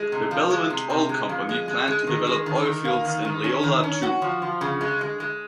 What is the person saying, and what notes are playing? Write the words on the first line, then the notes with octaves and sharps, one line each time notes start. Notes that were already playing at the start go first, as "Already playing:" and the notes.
The Belmont Oil Company planned to develop oil fields in Leola, too.
Already playing: G#3
C3
F3
G#3
C3
C3
G#3
F2
G#3
G#3
G#3
D#3
G#3
D#3
D#3
A#3
D#3
D#3
C#4
D#3
C#4
F#4
F3
F3
C#3
G#3
G#3
G#3